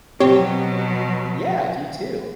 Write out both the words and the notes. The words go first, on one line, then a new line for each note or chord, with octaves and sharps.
Yeah, you, too.
B2 F#3 C4 G4 C#5